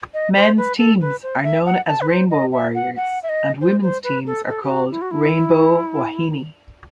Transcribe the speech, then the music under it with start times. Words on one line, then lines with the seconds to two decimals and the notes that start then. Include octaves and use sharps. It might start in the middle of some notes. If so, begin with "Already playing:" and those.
Men's teams are known as Rainbow Warriors, and women's teams are called Rainbow Wahine.
0.14 D#5
0.36 C5
0.58 B4
0.78 A4
1.01 B4
1.23 C5
1.44 E5
1.66 F#5
1.87 A5
2.01 B4
2.09 C5
2.30 D#5
2.52 E5
2.75 F#5
2.96 F#5
3.23 E5
3.29 D#5
3.61 C5
3.83 C5
4.04 B4
4.27 A4
4.48 A4
4.63 G4
4.70 F#4
4.91 E4
5.02 F#4
5.11 E4